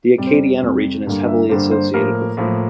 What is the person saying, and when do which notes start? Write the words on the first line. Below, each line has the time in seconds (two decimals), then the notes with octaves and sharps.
The Acadiana region is heavily associated with them.
0.18 F2 C3 G3 D5
0.27 C5
0.33 D5
0.62 F2 C3 G3
1.07 G2 D3 G3 A#3
1.28 E5
1.49 G2 D3 G3 A#3 C5
1.71 C5
1.94 A2 F3 A#3 A#4
2.37 A2 F3 A#3